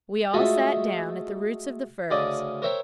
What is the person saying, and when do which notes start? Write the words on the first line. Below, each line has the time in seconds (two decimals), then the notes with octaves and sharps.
We all sat down at the roots of the firs.
0.33 G#3 A3 F4 F#4 D#5 E5
2.10 D2 C#3 D5 D#5
2.62 A#4 C5 C#5 E5 G5 A#5